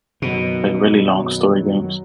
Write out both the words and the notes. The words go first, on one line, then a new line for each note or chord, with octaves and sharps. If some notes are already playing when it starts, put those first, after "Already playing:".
Like, really long story games.
F#2 B2 D#3 F#3